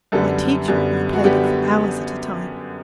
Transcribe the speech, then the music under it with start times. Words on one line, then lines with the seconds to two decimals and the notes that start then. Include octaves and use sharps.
My teacher and I played it for hours at a time.
0.12 F#2 D3 G3 B3 A4
0.68 F#2 D3 G3 B3
1.13 F#4
1.24 D3 G3 B3 G4